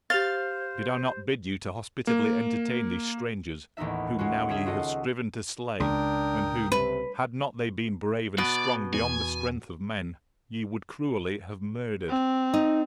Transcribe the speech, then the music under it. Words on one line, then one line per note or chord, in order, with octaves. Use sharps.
Did I not bid you to hospitably entertain these strangers, whom now ye have striven to slay, and whom, had not they been brave and strong beyond the strength of men, ye would cruelly have murdered?
G4 C5 F5 A6 F7 G7
A#3
A1 D#2 B3 D#4 E5
G#3 C#4 F4 F#4
C#2 G#4 E5 D#6
F4 F#4 A4 D#5
C#2 D4 A#4 G5 D#6
C3 B4
B2 D5
E2 G#5
C4
D#4